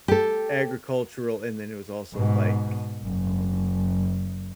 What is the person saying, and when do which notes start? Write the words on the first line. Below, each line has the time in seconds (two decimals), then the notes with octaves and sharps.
agricultural, and then it was also, like, um,
0.08 G4 A4
2.15 G#2 B2
3.03 F#1